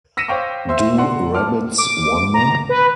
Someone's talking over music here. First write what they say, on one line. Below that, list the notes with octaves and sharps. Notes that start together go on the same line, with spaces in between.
Do Rabbits Wonder?
E6 A#6 B6 C#7 D#7 E7
C5 C#5 F5 G5 C#6 D6
C5 E5 C6 E6
D5 F#5 C6
A5 D6 F6
D6
A#5
B4